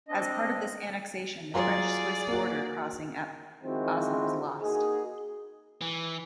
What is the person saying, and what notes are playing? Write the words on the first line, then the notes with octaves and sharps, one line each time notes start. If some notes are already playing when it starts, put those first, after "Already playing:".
As part of this annexation, the French-Swiss border crossing at Basel was lost.
C4 D4 D#5
F#3 F4 G#4 D5 A#5
A#3 F#4
D#3 F3 G#3 C4 E4 F#4
A#3 D#4 F#4 G#4
E3